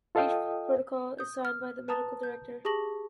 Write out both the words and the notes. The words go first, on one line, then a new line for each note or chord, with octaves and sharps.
Each protocol is signed by the medical director.
F4 A4 D#5 F5 G5 D#6
D#6 G6
F6
B4 A5 A#5 D#6 A6
G6
G4 G#4 A5 C#6 A#6 F#7